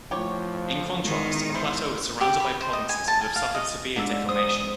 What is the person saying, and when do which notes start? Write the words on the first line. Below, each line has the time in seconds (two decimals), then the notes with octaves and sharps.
In contrast, the plateau is surrounded by provinces that have suffered severe deformation.
0.11 F3 A3 E4 G4 C#5 F#5
1.05 E2 D#3 G#3
1.54 E4 C5
2.21 G4
2.40 B5
2.61 C5
2.73 D#5
2.89 G#5
3.08 A5
3.21 G#5
3.36 F5
3.55 D#5
3.96 G#2 D4 E6
4.29 E2 C5 D#6